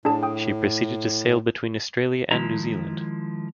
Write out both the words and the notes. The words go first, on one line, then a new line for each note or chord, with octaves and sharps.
She proceeded to sail between Australia and New Zealand.
A2 D4 G#4 A5
G5 D#6
D#3 F3 G#3 E4 A#5